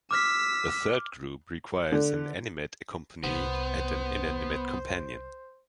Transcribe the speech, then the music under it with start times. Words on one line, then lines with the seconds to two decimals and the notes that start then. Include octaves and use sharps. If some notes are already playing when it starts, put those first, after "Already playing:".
A third group requires an animate accompanee and an inanimate companion.
0.11 D6 E6 F6 B6
1.92 D3
3.24 C2 B3 C5